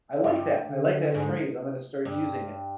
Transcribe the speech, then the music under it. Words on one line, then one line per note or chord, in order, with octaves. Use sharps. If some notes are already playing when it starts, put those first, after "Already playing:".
like that. I like that phrase, I'm gonna start using it.
G2 C#3
D3
G#2
G2